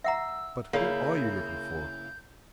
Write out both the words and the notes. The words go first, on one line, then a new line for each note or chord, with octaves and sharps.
But who are you looking for?
E5 F#5 A#5 E6
C#3 A#3 E4 G6